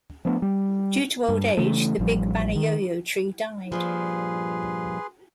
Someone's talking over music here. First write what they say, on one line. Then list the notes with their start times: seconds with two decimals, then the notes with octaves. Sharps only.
Due to old age, the big "Banayoyo" tree died.
0.25 F3 A3 B3 D4
0.42 G3
1.28 G2
1.57 C#3 E3 A3
1.99 A1 F3 G3
2.56 D#3
3.72 G2 A#2 F3 G#4 B4 C6